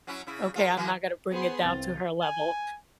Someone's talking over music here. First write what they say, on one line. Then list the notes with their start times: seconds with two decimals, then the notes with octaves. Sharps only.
"Okay, I'm not gonna bring it down to her level."
0.07 F#3 C#4 E4
0.27 C#3 E4
0.55 F4 G#4 A#4
0.77 E3 A#3 B3
1.31 B3 G#4 C5 C6
1.64 C2 C4 F4 A6
2.22 G#5